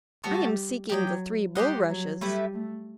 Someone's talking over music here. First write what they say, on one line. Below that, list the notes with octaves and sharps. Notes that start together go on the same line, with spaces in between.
'I am seeking the three bulrushes.
G3 B3 F#4 A4
F#3 G4 D#5 G5
G3 G4 C5 D#5 F#5
F#3
G3 A3 E4 B4
A3